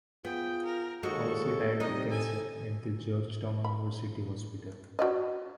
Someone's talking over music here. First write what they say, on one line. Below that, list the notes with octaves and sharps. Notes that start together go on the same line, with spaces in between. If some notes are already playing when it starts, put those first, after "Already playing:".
Horsey died of cancer at the Georgetown University Hospital.
B3 F4 G#4 G5
A#4
D#2 G#3 F#4 A4 C#6
C3 G3 D#4 D#5
A4 G#5
B5
F#4 D5 D#5